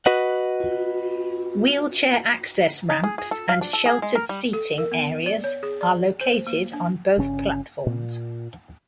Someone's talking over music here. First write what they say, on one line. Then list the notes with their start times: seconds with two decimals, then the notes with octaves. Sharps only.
Wheelchair access ramps and sheltered seating areas are located on both platforms.
0.06 F#4 B4 D#5 F#5
2.90 D#4
3.04 G#4
3.18 G#4
3.31 A4
3.49 F5
3.61 D4
3.73 A4
3.86 G#4
4.02 G#3
4.15 A#4
4.29 G3
4.53 A4
4.78 A#4
4.92 B3
5.26 D5
5.44 C#5
5.63 G#4
5.81 D5
6.21 C5
6.47 A#3
6.73 D4
7.18 G1 C#3 C#4
7.86 A#2